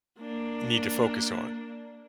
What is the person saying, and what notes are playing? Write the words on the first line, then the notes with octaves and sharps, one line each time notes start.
need to focus on,
A#3 D4